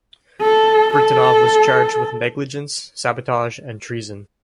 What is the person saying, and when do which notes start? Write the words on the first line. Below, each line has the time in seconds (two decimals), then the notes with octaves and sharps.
Britanov was charged with negligence, sabotage, and treason.
0.41 A4
0.94 A4